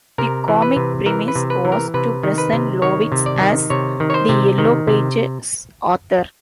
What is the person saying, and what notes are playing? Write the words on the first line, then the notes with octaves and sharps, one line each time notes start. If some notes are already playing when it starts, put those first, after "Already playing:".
The comic premise was to present Lovitz as the Yellow Pages' author.
C3 A#4
E3
B4
C3
E3 A#4
B4
C3
B4
E3
A#4
C3 B4
D#3
B4
C3
D#3 C#5
C3
D5
D#3
C3 C#5
D#3
C#5
C5
C3
D#3
C3